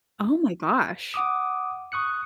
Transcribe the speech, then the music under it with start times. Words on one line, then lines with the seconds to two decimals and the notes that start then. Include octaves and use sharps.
Oh my gosh.
1.14 F#5 D6 D#6
1.92 C#6 D#6 F#6 C#7